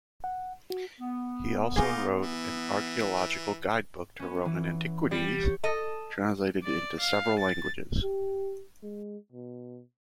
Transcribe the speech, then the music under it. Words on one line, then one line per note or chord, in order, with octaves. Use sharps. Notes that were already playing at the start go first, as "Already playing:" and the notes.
He also wrote an archeological guide book to Roman antiquities, translated into several languages.
F#5
F#4
B3
D#4 F4 G#4 D6
E3
B3 C#4
E3
G3
C#5 G6
A4 D#5
D5
F5
A6
G4
G#3
B2